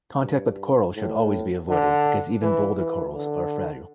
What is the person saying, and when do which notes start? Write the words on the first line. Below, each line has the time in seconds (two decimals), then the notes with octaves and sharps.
Contact with coral should always be avoided, because even boulder corals are fragile.
0.23 G2
0.96 A2
1.69 D3
2.42 E3
2.78 E3
3.15 D3